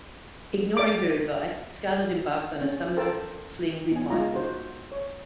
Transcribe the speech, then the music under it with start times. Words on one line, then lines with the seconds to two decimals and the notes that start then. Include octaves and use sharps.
Ignoring her advice, Scarlett embarks on a summer fling with Michael.
0.77 D5 D6
2.62 C#4
2.97 A4 A#4 C5 G5 A5
3.92 B3 G#5
4.10 G#3 D#4 F4 A#5
4.35 F#4 C5
4.92 C#5